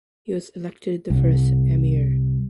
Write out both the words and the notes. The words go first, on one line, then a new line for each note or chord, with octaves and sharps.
He was elected the first Emir.
C2